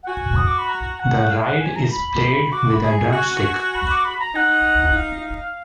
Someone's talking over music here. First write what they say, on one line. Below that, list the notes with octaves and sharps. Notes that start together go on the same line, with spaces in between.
The ride is played with a drumstick.
F#5
F#4 G#5
D#6
D6
B5
A#5
F#5
F5
F#5
G#5
A#5
B5
F#4 D6
B5
G#4
G#5
F#4 G#5
B5
D6
B5
A#5
D#4 F#5
F5